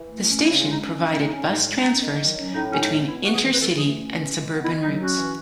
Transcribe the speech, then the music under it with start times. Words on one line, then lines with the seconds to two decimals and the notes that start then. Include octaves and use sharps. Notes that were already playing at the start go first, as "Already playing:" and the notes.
The station provided bus transfers between inter-city and suburban routes.
Already playing: E3
0.08 A3
0.26 C#4
0.44 C#3 E4
0.61 G#3
0.70 D#4
0.79 C#4
0.97 E3 C#4
1.13 A3 C#4
1.23 D#4
1.32 C#4
1.49 A2 D#4
1.67 G#3
1.75 D#4
1.84 C#4
2.02 D#3
2.19 F#3
2.37 C#4
2.54 A2 D#4
2.71 G#3 C#4
2.80 D#4
2.89 B3
3.07 E3 E4
3.23 B3 F#4
3.32 G#4
3.42 E3
3.52 B4
3.59 E3 A4
3.76 A3 G#4
3.94 C#4
4.12 E3
4.30 G#3
4.47 B3
4.64 D#3 E4
4.82 F#3 D#4
4.99 C#4 F#4
5.17 E3